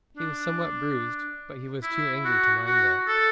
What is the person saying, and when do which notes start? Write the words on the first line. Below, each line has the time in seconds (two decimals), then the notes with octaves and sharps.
He was somewhat bruised, but he was too angry to mind that.
0.17 D4
1.83 E4
2.25 F#4
2.66 F#4
3.07 A4